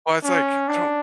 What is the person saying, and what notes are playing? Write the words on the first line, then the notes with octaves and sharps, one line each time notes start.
Well, it's, like, I don't
C#4
D4